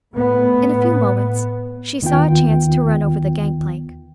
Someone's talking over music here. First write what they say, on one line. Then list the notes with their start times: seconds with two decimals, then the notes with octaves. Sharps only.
In a few moments she saw a chance to run over the gangplank.
0.13 A2 B3
2.02 D#2 D#3 B3 F4 G5